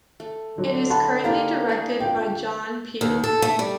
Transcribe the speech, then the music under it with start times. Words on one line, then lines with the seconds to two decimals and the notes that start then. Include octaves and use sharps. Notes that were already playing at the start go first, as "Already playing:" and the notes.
It is currently directed by John Pew.
0.20 A3
0.58 D3 F#3
0.90 F#5 A5 B5
1.24 A#3 E4 G4 A#4
1.69 D4 G#4
2.00 D3 F4 G5 D6
3.01 D#2
3.24 A4
3.42 A3
3.59 G3